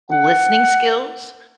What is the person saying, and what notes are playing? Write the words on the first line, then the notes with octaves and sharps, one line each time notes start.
listening skills,
F#5